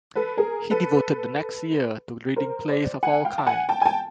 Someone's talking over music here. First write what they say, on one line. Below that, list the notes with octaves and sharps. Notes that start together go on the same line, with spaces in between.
He devoted the next year to reading plays of all kind.
A4 B4
G#4 A#4
A4 B4
A#4 C5
C5 D5
F#5 G#5
F5 G5
A5
F#5 G#5
G5 A5
G#5
G5 A5